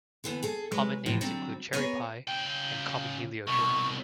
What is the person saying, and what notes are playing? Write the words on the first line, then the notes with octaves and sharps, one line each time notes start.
Common names include "cherry pie" and "common heliotrope".
D3 E3 B3
G#4 A4
F#3 G#3 B4
F2 A2 E3 F3
D3 F#3 G3 C4
B3 G#4 A#4 C#5
C#3 G5
C2 B2 C#6